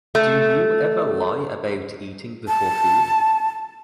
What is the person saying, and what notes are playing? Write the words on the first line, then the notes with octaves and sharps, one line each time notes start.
Do you ever lie about eating before food?
A3
A5